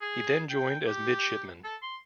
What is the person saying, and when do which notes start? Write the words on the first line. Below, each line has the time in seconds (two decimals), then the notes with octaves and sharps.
He then joined as midshipman.
0.01 G#4
0.50 G5
0.86 G4
1.64 A4
1.82 C6